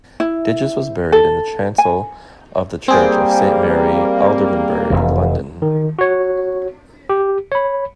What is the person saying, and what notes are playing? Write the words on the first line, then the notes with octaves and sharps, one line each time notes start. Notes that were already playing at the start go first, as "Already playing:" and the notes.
Digges was buried in the chancel of the church of Saint Mary Aldermanbury, London.
E4
A4
G#5
G3 A#3 C4 G#4 G5
F1 F2 E3
D#3
F#4 C#5
G4
C#5 B5